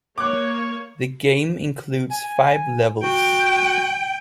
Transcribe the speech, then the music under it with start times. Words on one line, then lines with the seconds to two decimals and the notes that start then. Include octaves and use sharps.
The game includes five levels.
0.18 A#3 C#5 D6 F#6
2.11 G#5
3.04 F#4 G5